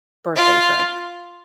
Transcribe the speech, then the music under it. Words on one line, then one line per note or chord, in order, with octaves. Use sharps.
birthday trip
F4